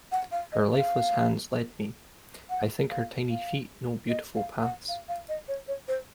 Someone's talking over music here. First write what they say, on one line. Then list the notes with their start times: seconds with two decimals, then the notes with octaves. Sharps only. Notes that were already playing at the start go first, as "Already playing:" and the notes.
Her lifeless hands led me; I think her tiny feet know beautiful paths.
0.12 F#5
0.32 F5
0.52 D#5
0.71 F5
2.50 F#5
2.90 F5
3.30 F5
4.09 D#5
4.35 F5
4.62 F#5
4.89 F5
5.09 F5
5.29 D#5
5.48 C#5
5.68 C#5
5.88 C5